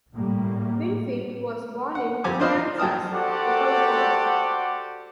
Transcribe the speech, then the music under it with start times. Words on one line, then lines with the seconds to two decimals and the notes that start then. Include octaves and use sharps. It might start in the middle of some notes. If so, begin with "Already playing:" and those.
Winfield was born in Kansas, Oklahoma.
0.14 A2 G3 A#3
1.95 F#5
2.24 F2 C4 G4 G#5 D6
2.40 D4 F4 C5 D#5 F5 B5
2.54 F3
2.78 F#3 G5 A5 D#6 F6
3.13 F#4 G4 A4 C5 D5 F#5